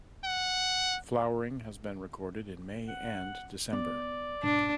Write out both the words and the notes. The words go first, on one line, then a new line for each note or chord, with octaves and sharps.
Flowering has been recorded in May and December.
F#5
F#5
B3 D5
G#2 B2 D4